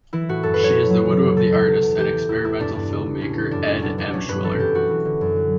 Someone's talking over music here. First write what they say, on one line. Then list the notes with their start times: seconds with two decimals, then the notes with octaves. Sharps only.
She is the widow of the artist and experimental filmmaker Ed Emshwiller.
0.13 E3 E4
0.29 A2 F#4
0.43 F#2 A4
0.54 B4
0.60 E3 C#5
0.75 F#3
0.90 F#3
1.05 C#3
1.21 F#2
1.36 B2 A4
1.52 E2
1.67 E2
1.82 E2
1.97 E3 G4
2.13 E3
2.29 E2 E4
2.44 E2 E4
2.60 G2 D4
2.74 G2 D4
2.91 C#3
3.06 C#3
3.21 A2 C#4
3.36 E3
3.51 F#2 D4
3.66 F#2 C#4
3.82 B2 D4
3.97 E2 D4
4.13 F#3 C#4
4.28 G2 B4
4.44 E3 A4
4.59 F#2 G4
4.75 E3 F#4
4.90 E3
5.05 D3
5.21 F#2
5.36 F#3